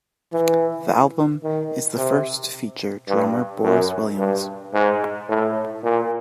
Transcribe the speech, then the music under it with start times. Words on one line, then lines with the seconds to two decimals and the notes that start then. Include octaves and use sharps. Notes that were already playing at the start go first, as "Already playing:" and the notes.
The album is the first to feature drummer Boris Williams.
0.33 E3
1.43 D#3
1.98 C3
3.08 G2
3.64 F#2
4.18 G2
4.74 G#2
5.29 A2
5.83 A#2